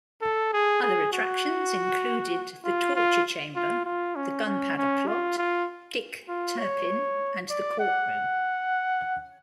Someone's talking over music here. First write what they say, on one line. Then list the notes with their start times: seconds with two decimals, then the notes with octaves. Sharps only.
Other attractions included the Torture Chamber, The Gunpowder Plot, Dick Turpin, and the Courtroom.
0.22 A4
0.53 G#4
0.82 G#4
1.13 F#4
2.64 F4
2.95 F4
3.55 F4
3.85 F4
4.15 C#4
4.46 C#4
4.77 C#4
5.07 F4
5.38 F4
6.28 F4
6.58 C#5
7.50 D5
7.80 F#5